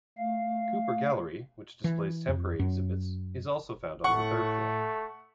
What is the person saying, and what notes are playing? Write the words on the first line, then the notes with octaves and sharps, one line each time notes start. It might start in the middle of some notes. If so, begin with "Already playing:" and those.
Cooper Gallery, which displays temporary exhibits, is also found on the third floor.
A3 F5
E3
F2
F#2
A2 A3 F#5 C#6